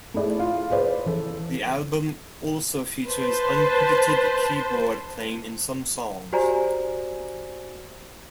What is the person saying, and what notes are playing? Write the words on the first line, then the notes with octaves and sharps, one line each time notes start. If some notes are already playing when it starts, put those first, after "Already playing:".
The album also features uncredited keyboard playing in some songs.
A3 E4 G#4 D5
F4
G#4 B4 C5 D5
E3 A4
B4 C5 A5
F#4 G4 C5 D5 G#5 A#5